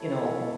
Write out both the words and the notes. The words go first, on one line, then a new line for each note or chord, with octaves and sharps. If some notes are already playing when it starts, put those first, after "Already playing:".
you know,
Already playing: E4 A4 C#5
D#5 F5